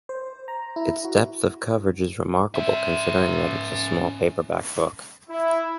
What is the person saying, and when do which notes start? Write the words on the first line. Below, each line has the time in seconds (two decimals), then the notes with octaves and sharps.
Its depth of coverage is remarkable, considering that it is a small paperback book.
0.09 C5
0.48 A#5
0.76 E4
1.05 F#4
2.55 C#4 E5
5.30 E4